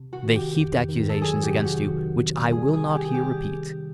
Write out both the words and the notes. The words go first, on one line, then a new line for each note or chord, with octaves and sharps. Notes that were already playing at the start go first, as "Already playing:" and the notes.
They heaped accusations against you which I will not here repeat.
Already playing: C3
F#4
D#3
G4
F2
D#3
A4
F#3 G#4
G4
C3
F#4
D#3
C3
G3 G#4
G#4
D#3
G4
G#4
G3 G4
C4